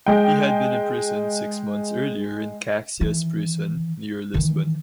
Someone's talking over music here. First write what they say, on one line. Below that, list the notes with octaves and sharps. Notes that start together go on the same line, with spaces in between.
He had been imprisoned six months earlier in Caxias prison near Lisbon.
G#3 G5
D#3 E3
D#3 E3